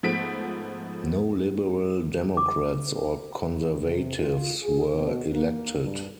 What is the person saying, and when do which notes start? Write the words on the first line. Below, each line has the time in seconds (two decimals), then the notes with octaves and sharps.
No Liberal Democrats or Conservatives were elected.
0.03 G#2 F3 A3 B3 B6 D7
2.37 D6
3.81 C3
4.17 F4
4.63 G#4
4.95 B2
5.33 A#3
5.83 G2